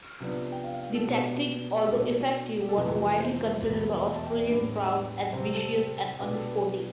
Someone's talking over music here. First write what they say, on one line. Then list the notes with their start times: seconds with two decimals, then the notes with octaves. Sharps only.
The tactic, although effective, was widely considered by Australian crowds as vicious and unsporting.
0.20 C3 F3 B3 D4
0.52 G5
0.64 F5
0.75 F5
0.85 G5
0.95 A4
1.06 B2 B3 D4 G4
1.82 G4
1.91 B2 B3 D4 A4
2.61 G4
2.69 A4
2.77 F2 C3 E3 A3 B4
3.20 C5
3.62 E2 B2 B3
4.05 E5
4.15 A5
4.26 G5
4.37 D5
4.47 A2 G3 B3 D4 D5
5.33 C3 G3 C4 C5
5.54 A4
5.76 A4
6.19 B2 B3 D4 G4
6.33 A4
6.47 B4
6.61 B4